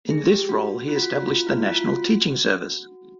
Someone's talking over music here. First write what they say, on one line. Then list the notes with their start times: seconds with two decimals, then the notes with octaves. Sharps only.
In this role he established the National Teaching Service.
0.10 G#4
0.29 G4
0.49 F#4
0.88 F4
0.96 F#4
1.02 F4
1.10 F#4
1.17 F4
1.28 F#4
1.47 E4
1.67 F4
1.86 F#4